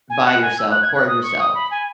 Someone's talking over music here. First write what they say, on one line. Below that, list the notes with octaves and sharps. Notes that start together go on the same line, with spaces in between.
by yourself for yourself,
G#5
F#5
G#5
E6
F#6
G#6
F#6
D#6
C#6
D#6
B5
G#5